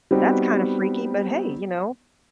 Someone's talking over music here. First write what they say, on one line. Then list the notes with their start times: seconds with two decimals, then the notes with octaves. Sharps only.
that's kinda freaky, but hey, you know,
0.11 G3 B3 C4 D#4 F#4